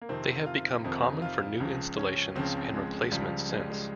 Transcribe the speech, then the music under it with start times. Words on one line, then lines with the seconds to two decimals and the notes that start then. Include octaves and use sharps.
They have become common for new installations and replacements since.
0.02 A#3
0.09 F2 C3 D#3 C4
0.46 F4
0.84 F2 C3 D#3 D#4
1.22 F4
1.60 C#2 C#3 F3
1.97 C#4
2.35 C#2 C#3 F3 C4
2.74 G#3
3.11 C#2 C#3 F3 G3
3.49 G#3
3.60 G3
3.70 G#3